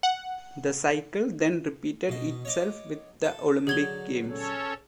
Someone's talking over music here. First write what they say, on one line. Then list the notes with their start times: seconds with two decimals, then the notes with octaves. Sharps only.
The cycle then repeated itself with the Olympic Games.
0.03 F#5
2.09 B2 D#5
2.45 C#5 D#5 D6
3.24 A4
3.67 D3 F#3 G#4 G#6 G7
4.29 C#4 A4 C#5